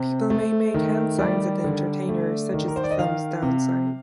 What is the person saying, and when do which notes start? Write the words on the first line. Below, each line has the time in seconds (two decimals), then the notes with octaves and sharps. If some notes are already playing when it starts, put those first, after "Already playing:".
People may make hand signs at the entertainer, such as the thumbs down sign.
Already playing: C3 C5
0.30 A3
0.74 D#3
1.18 G3 D5
1.64 D3
2.09 A3
2.54 D#3
2.68 A#4
2.76 C5
2.84 D5
2.91 D#5
2.98 D#3 F5
3.43 C3